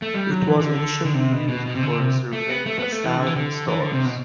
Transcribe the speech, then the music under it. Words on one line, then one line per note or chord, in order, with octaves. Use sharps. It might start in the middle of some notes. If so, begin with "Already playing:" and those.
It was initially used for a survey of a thousand stars.
A3
G3
F#3
E3
E3
D3
D3
C3
B2
B2
B2
C3
D3
C3
A3
B3
A3
B3
A3
E3
D3
E3
D3
E3
D3
C3
B2